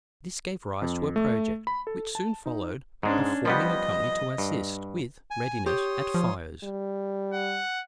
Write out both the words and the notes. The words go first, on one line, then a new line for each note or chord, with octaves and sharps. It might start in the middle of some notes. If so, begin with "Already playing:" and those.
This gave rise to a project, which soon followed, of forming a company to assist, with readiness, at fires.
F2
A3
B5
A4
A5
D#4
G#2 G#3 C#4 D4
F3 G3 B3 D#5
G2
G#5
G4 C#5 C6 D#6
F3
G3
F#5